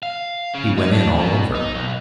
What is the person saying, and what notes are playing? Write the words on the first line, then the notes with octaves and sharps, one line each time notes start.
He went in all over.
F5
C#3
D#4
D4
B2
D#4
B1